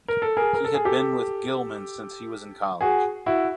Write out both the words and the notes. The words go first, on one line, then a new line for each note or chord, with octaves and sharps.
He had been with Gillman since he was in college.
A#4
A4
G#4 A#4
A#4
A4
G#4
G4 A4
F#4 G#4
E4 F#4